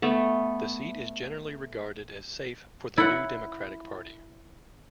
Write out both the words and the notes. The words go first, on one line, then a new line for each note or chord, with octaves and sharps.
The seat is generally regarded as safe for the New Democratic Party.
A3 B3
E4 F#5